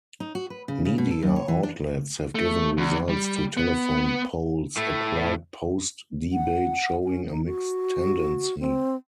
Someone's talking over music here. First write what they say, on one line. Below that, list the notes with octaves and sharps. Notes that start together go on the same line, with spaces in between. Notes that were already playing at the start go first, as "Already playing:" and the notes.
Media outlets have given results to telephone polls applied post-debate showing a mixed tendency.
D#4
F#4
B4
C#3
C#3
B2
A4
F#2
C#5
E3
D4
A3
E2
G3
B3
A2 A3
F#5
C#4
D#4
F#4
C4